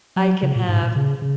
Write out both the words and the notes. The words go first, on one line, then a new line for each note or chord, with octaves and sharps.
I can have
F#3
C#3
A#2
G#2
A#2
C#3
C#3